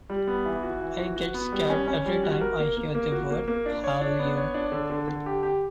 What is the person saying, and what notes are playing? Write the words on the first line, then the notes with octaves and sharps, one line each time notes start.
I get scared every time I hear the word, 'Hallyu'.
G3
B3
E3
F#4
E3
F#4
F#4
B3
G3
C#4
C#4
G3
F#4
A#4
A#3
A#3
A#3
F#4
A#3
A#3
D4
C#5
D4
B3
C#5
D4
D3
D3
D3
G4
G4